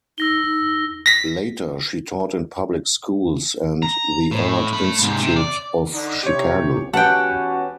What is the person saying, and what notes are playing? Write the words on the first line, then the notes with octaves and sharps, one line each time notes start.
Later, she taught in public schools and at the Art Institute of Chicago.
D#4 E6 A#6 G7
A#6 B6
A#5
A2
A3 B5
G#2 C3
C3
D5
D3 D#4
C3 C4 G4 C#5
E2 C#4 F#4 G4 B4 F#5 G5 A5